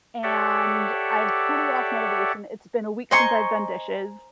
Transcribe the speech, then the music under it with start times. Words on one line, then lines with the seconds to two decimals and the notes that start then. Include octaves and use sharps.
and I've totally lost motivation, it's been a week since I've done dishes,
0.23 G4 A4 C#5 D5 E5 F#5
3.11 C5 D#5 G#5 A#5 C6 C#6